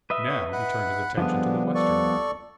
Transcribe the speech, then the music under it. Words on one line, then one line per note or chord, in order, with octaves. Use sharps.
Now he turned his attention to the western dial.
B4 D#5 E5
C#5
F#5 B5 F#6
D3 F3 G3 G#3 B3 D4
A4 D5 C#6